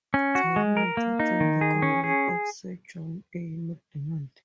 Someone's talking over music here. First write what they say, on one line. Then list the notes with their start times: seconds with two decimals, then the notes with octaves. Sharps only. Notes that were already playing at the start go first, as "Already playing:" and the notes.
Tilley later joined the government of Sir John A. Macdonald.
0.14 C#4
0.35 F#4
0.56 G#3
0.77 A#4
0.97 A#3
1.20 D#4
1.40 D#3
1.61 G#4
1.82 C#4
2.04 G#4